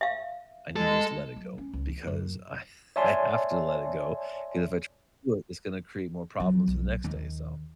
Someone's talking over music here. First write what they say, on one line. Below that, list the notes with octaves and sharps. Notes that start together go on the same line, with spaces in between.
I need to just let it go. Because I I have to let it go. 'Cause if I try to do it, it's gonna create more problems the next day, so
E5 F5
G#3 A4
F#3
C#4
C#2
E3
F#2
C#5 D5 E5 G#5 A5 C6
F#3
B1
D#2 D#3